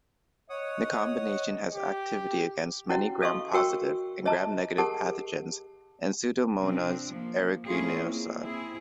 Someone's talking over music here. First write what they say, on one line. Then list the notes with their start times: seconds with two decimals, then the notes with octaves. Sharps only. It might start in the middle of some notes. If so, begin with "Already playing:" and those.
The combination has activity against many Gram-positive and Gram-negative pathogens and "Pseudomonas aeruginosa".
0.50 C#5 D#5 F#5 D#6
1.75 G4 D6
2.89 C#4 E4 F#4 C#5 F#5
3.22 A4 D#5 F5 C6 C#6
3.54 F#4 A#4 C#5 G5 C#6 E6
4.26 C#5 D#5 E5 A5 A#5
4.78 G4 G#4 A#4 C#5 F#5 A5
6.56 C3 F3 C4 D4
7.09 F3 A#3
7.65 A3 C4 C#4 E4 F4 G#4
7.99 A#3 C4
8.38 C4 E4 G#4